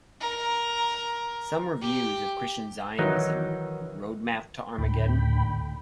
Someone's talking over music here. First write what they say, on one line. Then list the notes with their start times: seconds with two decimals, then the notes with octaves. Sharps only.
Some reviews of Christian Zionism - Road Map to Armageddon?
0.21 A#4
1.81 G4
2.99 D#3 E3 F#3 D#4
4.78 D2 A2 D3 G5 B5